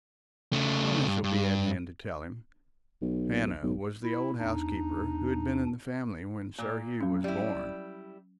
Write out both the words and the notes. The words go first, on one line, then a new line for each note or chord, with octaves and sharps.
"Hannah shall be at hand to tell him." Hannah was the old housekeeper, who had been in the family when Sir Hugh was born.
C#3 A3
G2
G2
B1
B1
E4
E2 D4 D#4
A#2
F#3 C#4
G3 E4